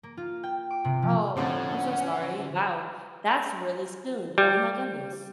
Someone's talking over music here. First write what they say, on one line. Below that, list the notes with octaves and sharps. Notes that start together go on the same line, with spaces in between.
Oh, I'm so sorry. Wow, that's really soon, oh my goodness.
A#3
F4
G5
D6
C3
F3
F2 A2 D3 C4 C#4 F#5
G3